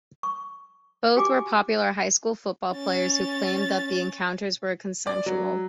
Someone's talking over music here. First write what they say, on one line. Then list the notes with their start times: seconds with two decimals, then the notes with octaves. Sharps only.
Both were popular high school football players, who claimed that the encounters were consensual.
0.23 C#6
1.16 F#4 G4 G#5 D6
2.73 C#4 A6
5.07 D5
5.26 F#3